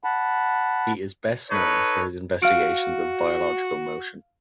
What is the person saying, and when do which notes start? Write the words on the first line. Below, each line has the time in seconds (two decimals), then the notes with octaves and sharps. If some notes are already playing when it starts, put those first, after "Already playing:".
He is best known for his investigations of biological motion.
0.04 F#5 A5 B5
1.49 D#4 A4 B4 C#5
2.42 F#4 F5 F6 D7